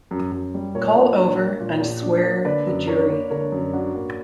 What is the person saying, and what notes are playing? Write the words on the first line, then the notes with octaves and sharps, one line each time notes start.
Call over and swear the jury!
F#2
F#2
G3
A#2 A#4 C#5
A#1
D4
A#3
A#2
A#1
D4
A#3
D3 B4 D5
F#2
D4 A#4 C#5
A#3
D3 A#4 C#5
F#2
D4 F#4
A#3